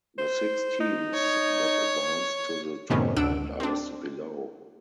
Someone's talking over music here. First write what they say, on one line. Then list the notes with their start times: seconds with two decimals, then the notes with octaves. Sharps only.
The six teams that advanced to the tournament are listed below.
0.18 C5
0.80 D#4
1.14 C#5
2.90 F#2 A2 C3 D#3 B3 C#4
3.16 D2 D4 F#5 E6 D7
3.60 C4 D4